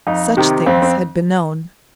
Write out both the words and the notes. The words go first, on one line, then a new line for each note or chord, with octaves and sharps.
Such things had been known.
F2 D#4
C3 D#3
F2 C4
C4